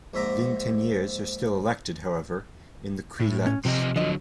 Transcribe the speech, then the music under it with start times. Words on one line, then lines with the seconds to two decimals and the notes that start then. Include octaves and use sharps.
Vingteniers are still elected, however, in the cueillettes.
0.14 A#1 G#2 E5 A#5 D6
3.20 A2
3.47 C#4
3.65 C3 F3 G4 D#5
3.96 D3 F3 F#3 D#5